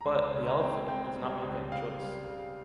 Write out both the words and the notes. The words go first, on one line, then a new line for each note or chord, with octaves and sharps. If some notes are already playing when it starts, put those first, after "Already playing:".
But, the elephant, does not make any choice.
A#5
C#2 C6
C#3
A#5
C4
C4 G5
G3
C#2
C#2 F5
G3
C#3